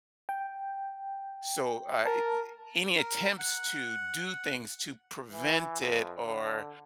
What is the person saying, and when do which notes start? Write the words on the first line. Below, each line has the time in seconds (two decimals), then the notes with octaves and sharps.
So, uh, eh eh any attempts to do things to prevent it, or
0.29 G5
2.06 A#4 A5
2.98 A#4
3.39 F#5
5.32 E3
5.81 F2
6.22 D3